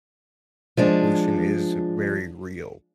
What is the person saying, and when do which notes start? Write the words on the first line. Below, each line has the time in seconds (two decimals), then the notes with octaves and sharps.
the pollution is very real.
0.77 F3 G#3 D4